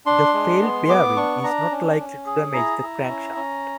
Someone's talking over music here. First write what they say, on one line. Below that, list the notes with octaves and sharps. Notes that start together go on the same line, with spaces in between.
The failed bearing is not likely to damage the crankshaft.
D4 C6
G#3
B3
B3 D6
D4 C#6
D4 A#5
C#4
C#4
G#4
E4 A#5
E4
C#4
C#4